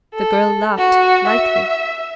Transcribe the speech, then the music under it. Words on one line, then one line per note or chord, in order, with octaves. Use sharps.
The girl laughed, lightly.
A4
F#4
E5